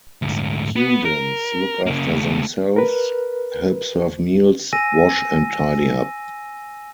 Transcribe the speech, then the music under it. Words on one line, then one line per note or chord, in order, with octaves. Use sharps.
Students look after themselves, help serve meals, wash and tidy up.
D2 G#2
B3
A#4
C#3 A#3
C#2 A3
A#4 B4
G#5 E6 A#6 D#7